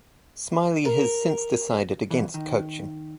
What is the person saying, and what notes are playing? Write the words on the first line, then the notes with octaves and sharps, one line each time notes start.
Smiley has since decided against coaching.
A#4
C2 F#2 E3
D#3